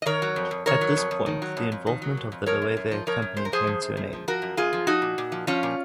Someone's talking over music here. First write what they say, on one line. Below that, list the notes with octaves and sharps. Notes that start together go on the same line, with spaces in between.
At this point the involvement of the Loewe company came to an end.
D#5
D#3 A#4 C#5
F#3
F2
F2
D#3 A#4 C#5
F#3
F2
F2
D#3
F#3
F2
F2
D#3
F#3
F2
F2
F3 A#4 C#5
F#2
F#2
F3
F3 A#4 C#5
F#2
F#2 C5
A#4
F3 G#4 C5
F3
F#2
F#2
F3
F3 F#4 A#4
F#2
F#2 F4 G#4
F3
F3 D#4 F#4
A#2
A#2
F3
F3 C#4 F4
A#2